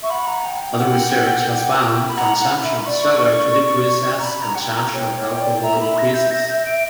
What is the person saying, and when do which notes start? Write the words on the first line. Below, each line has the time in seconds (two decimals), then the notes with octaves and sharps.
Other research has found consumption of sugar to decrease as consumption of alcohol increases.
0.02 E5 C#6
0.10 F#5 B5
0.27 A#5
0.45 G5
0.62 G5
0.78 F#5
2.08 B5
2.17 F#5 A#5
2.40 F#5
2.51 B5
2.63 E5
2.86 D5 C#6
4.19 A#5
4.25 B5
4.41 A#5
4.55 F#5
4.58 G5
4.75 A#5
4.94 C#5 G5
5.17 C#5
5.28 G5
5.40 D5
5.63 E5 A#5
5.80 B5
5.98 A#6
6.14 G6
6.31 A#6
6.49 G6
6.66 D7